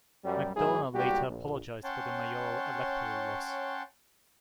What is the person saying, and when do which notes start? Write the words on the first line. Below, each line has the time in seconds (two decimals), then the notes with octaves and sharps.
McDonagh later apologised for the mayoral electoral loss.
0.24 F#2 G3
0.55 B1 G#2 F#3 E4 G#4
0.93 B1 A#2 G3 F#4 G4
1.28 A#1
1.84 C#4 C#5 F#5 G5 A5 C6